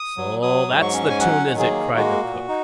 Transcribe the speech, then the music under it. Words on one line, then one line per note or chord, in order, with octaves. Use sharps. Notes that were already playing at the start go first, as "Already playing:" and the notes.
"So that's the toon, is it?" cried the cook.
Already playing: D#6
F#3
F#3 D#6
G#2
C#6
C#4
G#5
F#3 F#5
D#3
G#4
A#3
G#3 F#4
A#2
D#4